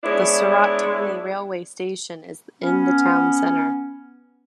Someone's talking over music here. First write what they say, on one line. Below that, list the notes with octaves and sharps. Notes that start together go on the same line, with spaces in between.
The Surat Thani Railway Station is in town center.
G#3 B3 D4 E4 C#5
B3 C#4